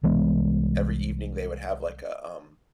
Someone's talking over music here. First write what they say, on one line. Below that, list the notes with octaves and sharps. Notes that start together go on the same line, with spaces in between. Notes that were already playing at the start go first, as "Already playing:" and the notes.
every evening, they would have, like, a, um
C2 E3 G#3 B3